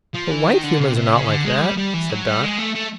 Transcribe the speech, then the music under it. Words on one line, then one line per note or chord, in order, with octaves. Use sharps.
"But white Humans are not like that," said Dot.
F3
E3
D#3
D3
C3
C3
C#3
D3
G#3
G3
G3
E3
F#3
G3
G#3
A3
A3